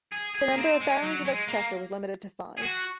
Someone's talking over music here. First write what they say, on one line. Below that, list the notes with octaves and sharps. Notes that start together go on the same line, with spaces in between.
The number of Barons of Exchequer was limited to five.
G#4
G#4
A#3
C4
G#3
F#3
G#3
A#3
G#4
F#4